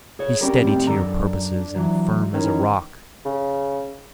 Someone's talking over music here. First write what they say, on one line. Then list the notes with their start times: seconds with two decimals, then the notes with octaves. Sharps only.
Be steady to your purposes and firm as a rock.
0.19 G#4 C#5
0.41 G3 C4 C#4 A#4
0.62 D#2 A2 C4
0.87 F#2 D4 A4 A#5
1.76 E3 F#3
2.34 D#3 E3 C#4
3.25 C#3